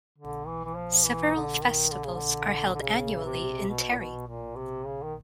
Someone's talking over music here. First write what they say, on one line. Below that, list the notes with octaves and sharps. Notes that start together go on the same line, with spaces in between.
Several festivals are held annually in Terry.
D3
E3
E3
F3
E3
D3
D#3
D3
C#3
D3
D3
C#3
C3
B2
A#2
B2
A#2
C3
C#3
D#3